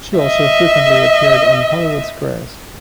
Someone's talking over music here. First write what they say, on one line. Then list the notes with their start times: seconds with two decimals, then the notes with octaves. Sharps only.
She also frequently appeared on "Hollywood Squares".
0.19 D#5 E5